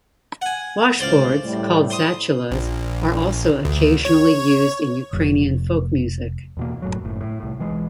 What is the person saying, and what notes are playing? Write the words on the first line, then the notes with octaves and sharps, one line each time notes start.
Washboards, called "zatulas", are also occasionally used in Ukrainian folk music.
F#5 G#5
C#2 A2 C#3 C5 D5 F5
A2 G3
C5 D#6
A#1
D2
C#5
F1
E2 B2 A#3
F#1 A2 F#3
F#1 A2
A2
C2 A2
B1 E3 G#3